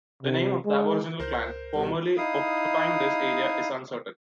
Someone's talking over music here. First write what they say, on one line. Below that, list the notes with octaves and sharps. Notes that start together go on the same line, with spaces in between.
The name of the Aboriginal clan formerly occupying this area is uncertain.
C3
G#3
C#2 A#4 C5 G6
B2 G3
D#4 E4 F5 D#6